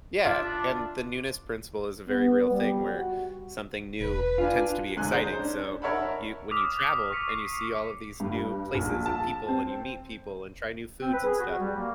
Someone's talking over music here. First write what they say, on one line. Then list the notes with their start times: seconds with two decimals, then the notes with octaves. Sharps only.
Yeah, and the newness principle is a very real thing where, something new tends to be exciting. So, you when you travel and you see all of these new places and people and you meet people and try new foods and stuff,
0.25 D4 F4 D5 E5
2.08 B3
2.51 G3
2.88 F#4
4.00 E1 B4
4.38 D4 F4 G#5
4.97 E2 G#2 D3 G#5 C6 F#6
5.11 G#4 C5 A#5
5.39 C#4 D4
5.82 A#4 C#5 E5 F#5 A5 B5
6.51 D6 D#6 F6 B6 F7
7.11 C#6 D#6 B6 C#7
7.29 C7
8.20 G2
8.74 A#1
9.06 A5
9.48 C4
11.01 C4
11.13 B4
11.25 G#4
11.39 F#4
11.60 G3
11.76 A#3